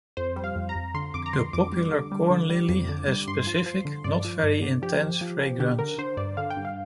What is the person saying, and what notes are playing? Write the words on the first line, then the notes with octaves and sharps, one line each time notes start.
The popular corn lily has specific, not very intense fragrance.
F2 C5
G3
F5
F2
A#5
F2
D3 C6
F2 D6
A#5
D3 C6
F2 D6
G3
D3
G3
D3
G3
F2
D3
G3
G2 C6
F3
F3
D3
G2 D5
F3
G2
D3
F3 G4
F3
F3
F3
D3 G4
D3 A#4
D3 C5
G2 D5
D3 F5
G5
G2
F5